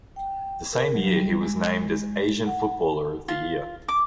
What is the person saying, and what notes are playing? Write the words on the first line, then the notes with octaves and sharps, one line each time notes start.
The same year he was named as Asian Footballer of the Year.
G5
A#4
F#3
G3
G#3
F#5
F4
D6